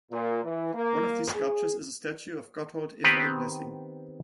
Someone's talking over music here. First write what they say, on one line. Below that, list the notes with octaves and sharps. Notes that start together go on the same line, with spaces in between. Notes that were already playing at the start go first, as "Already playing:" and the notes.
One of these sculptures is a statue of Gotthold Ephraim Lessing.
A#2
E3
A#3
G#4
D#3 B3 C4 G4 B4